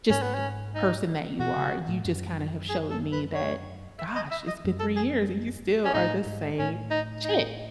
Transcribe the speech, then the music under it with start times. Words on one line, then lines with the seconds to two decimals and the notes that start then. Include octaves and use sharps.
just the person that you are, you just kinda have showed me that, "Gosh, it's been three years, and you still are the same chick."
0.10 G#2 C#4
0.22 B3
0.35 C#4
0.75 D#4
1.39 B2 F#4
1.56 C#3
1.88 A2
2.05 F#2
2.69 G#4
2.91 A4
3.12 B4
3.35 C#5
3.99 E5
4.15 D#5
4.31 E5
4.48 D#5
4.64 F#2
4.80 A4
4.96 G#4
5.85 C#4
5.94 A2 D#4
6.26 G#2
6.59 A2 C#4
6.91 D#4
7.24 D#4